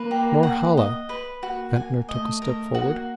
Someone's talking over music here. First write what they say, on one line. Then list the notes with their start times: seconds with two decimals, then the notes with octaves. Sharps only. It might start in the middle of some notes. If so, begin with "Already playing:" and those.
"Norhala." Ventnor took a step forward.
Already playing: A#3 B4
0.11 G4
0.43 F#5
0.77 D#5
1.09 B4
1.43 A#3 F#4
1.76 G#5
2.09 A3 D#5
2.42 A3 A#4
2.75 A#3 F#4